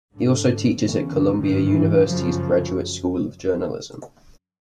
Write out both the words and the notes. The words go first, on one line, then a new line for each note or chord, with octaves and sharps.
He also teaches at Columbia University's Graduate School of Journalism.
G#2 D3
E2 C#3
D3
G#2 D#3
E3
F#2 C#3 F3